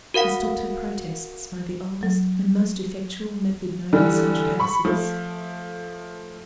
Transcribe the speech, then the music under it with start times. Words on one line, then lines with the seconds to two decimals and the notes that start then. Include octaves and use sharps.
He stopped her protests by the oldest and most effectual method known in such cases.
0.14 F#4 A#4 F5 F#5
2.03 F#3
3.93 D3 E3 G3
4.60 B5 C#6
4.85 F3 A3